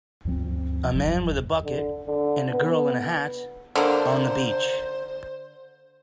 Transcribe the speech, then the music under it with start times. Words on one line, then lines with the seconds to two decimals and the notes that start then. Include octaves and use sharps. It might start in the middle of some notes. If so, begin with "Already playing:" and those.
A man with a bucket and a girl in a hat on the beach.
0.25 D2 G2 F3 C4
0.93 F#1 D#2 F#3
1.64 D3
2.07 D3
2.52 B3
3.75 D3 A#3 C5